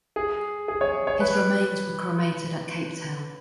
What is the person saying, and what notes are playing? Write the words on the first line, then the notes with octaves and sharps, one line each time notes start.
His remains were cremated at Cape Town.
G#4
G#4
C#5
C#5
B4